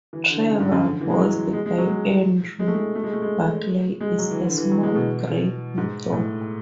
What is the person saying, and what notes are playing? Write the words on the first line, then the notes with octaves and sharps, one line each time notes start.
Trevor, voiced by Andrew Barclay, is a small, grey bulldog.
E3
D3
C#3
G#2
F#2
D3
E3
G#3
F#3
G#3
G#3
F#3
G#3
G#3
A3
G#3
A3
G#3
A3
G#3
G#3
F#3
E3
D3
E3
F#3
G#3
B2
G#2
A2